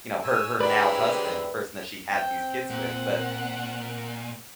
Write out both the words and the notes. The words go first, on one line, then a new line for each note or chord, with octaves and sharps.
you know, her her now husband, the person that she had these kids with, but,
C#5 G#5 E6
D3 G#3 C4 E4 G4 A#4 B4 D5
C4 G5
A#2 F#5